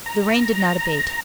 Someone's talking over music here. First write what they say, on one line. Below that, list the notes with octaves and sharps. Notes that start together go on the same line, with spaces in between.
The rain did not abate.
A#5